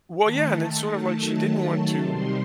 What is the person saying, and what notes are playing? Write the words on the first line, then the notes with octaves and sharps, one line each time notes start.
Well, yeah. And then sort of like she didn't want to
D#3 A3 A5
D#3 F#3 A3
C3 D#3 G3 C6